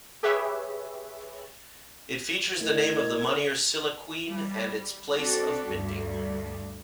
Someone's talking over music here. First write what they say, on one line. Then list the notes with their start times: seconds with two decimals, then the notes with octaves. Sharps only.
It features the name of the moneyer Silacwine and its place of minting.
0.23 G4 G#4 B4 C#5 E5
2.61 A2 A#4 D#5 G#6
4.27 G3
5.16 C4 D4 F#4 G4 A4
5.70 D2 G2